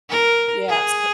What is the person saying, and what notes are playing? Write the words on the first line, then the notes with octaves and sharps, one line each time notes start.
Yeah, so
A#4
G#4